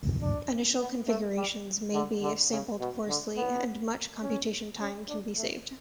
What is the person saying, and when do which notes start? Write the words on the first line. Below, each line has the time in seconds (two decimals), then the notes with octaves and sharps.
Initial configurations may be sampled coarsely, and much computation time can be saved.
0.21 D4
0.78 B3
1.07 A3
1.36 G3
1.93 D3
2.22 D3
2.51 C#3
2.79 B2
3.08 D3
3.36 B3
4.22 C#4
4.80 C#4
5.08 D4
5.36 A3